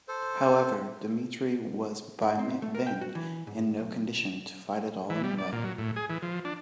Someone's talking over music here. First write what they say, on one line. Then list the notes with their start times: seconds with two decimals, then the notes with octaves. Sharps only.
However, Dmitri was by then in no condition to fight at all anyway.
0.08 A4 C5
2.22 G#2
2.39 C4
2.62 A3
2.75 A#4
2.87 G5
3.01 F#4
3.15 E3
3.47 G#2
3.80 B1
5.10 E3
5.24 G3
5.38 D5
5.52 A#2
5.64 F#3
5.78 A2
5.96 G#4
6.10 E3
6.22 F3
6.45 D4